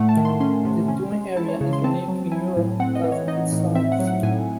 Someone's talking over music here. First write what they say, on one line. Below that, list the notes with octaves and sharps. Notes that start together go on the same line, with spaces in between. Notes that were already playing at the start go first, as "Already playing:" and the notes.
The dune area is unique in Europe because of its size.
Already playing: A2 A3 F#5
A5
D#3
C6
C#4 C6
C3
C#4
G#3
E4 A5
C#5
C#3 C#5
C6
C4 A5
F#3
E4 G#5
A2
C4 F#5
D#5
E3
C#5
D#4 D#5
A2
C4 E5
F#5
F#3
F#5
A2 G#5